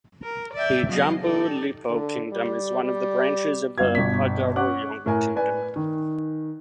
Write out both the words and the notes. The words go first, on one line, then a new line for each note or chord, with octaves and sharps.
The Jambu Lipo Kingdom is one of the branches of the Pagaruyung kingdom.
A#4
D5 E5 G5
C#3 F#3 B3 F#4 D#5 F5
D#4 G4 A4 D5
D3
G3
G3
G1 F5 G#6
G1 B2 B6
C#4 F#5 D6 F#6
A2 A#4 G#5
B4 D5 G#5
D#3